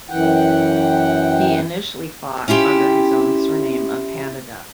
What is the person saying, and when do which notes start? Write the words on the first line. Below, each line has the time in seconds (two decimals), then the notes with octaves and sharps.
He initially fought under his own surname of Hanada.
0.10 F#2 E3 F#5 G5
2.48 C#4 E4 F4 G4 G5